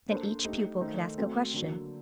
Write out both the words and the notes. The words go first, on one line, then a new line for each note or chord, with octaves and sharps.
Then each pupil could ask a question.
A#3 D4 A4 C5
A3 D#4 G4
D#3 A3 D#4 A4 C5
A3 C4 F#4
D3 F#3 A#3